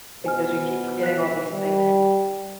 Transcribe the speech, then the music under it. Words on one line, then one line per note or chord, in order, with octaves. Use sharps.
Because you keep forgetting all these things.
B2 C5 G#5 F6
F#6 B6
G3